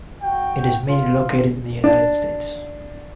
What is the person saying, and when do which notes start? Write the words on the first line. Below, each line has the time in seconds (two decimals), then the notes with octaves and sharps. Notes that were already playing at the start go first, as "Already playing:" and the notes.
It is mainly located in the United States.
0.22 F#4 G5
0.88 F4
1.84 D4